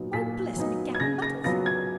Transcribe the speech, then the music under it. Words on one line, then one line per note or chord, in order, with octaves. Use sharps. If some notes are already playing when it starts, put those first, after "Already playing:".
Why, bless me cap and buttons!
Already playing: A#2 F#3 B3 D#4
A#2 B6
F#3 B3 D#4
G#6
C#3 A#6
A#6
F#3 B3 F4 A#6
G#6